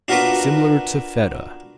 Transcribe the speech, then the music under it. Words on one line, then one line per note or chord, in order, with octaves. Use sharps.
Similar to Feta.
D4 F4 F#4 A#4 B4 D5